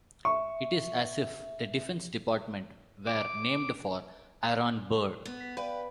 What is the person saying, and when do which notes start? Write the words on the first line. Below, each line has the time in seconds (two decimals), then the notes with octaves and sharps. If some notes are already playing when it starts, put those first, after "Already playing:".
It is as if the Defense Department were named for Aaron Burr.
0.25 E5 C#6
3.07 D6
5.25 B3
5.40 B6
5.57 G4 B4 D5 F5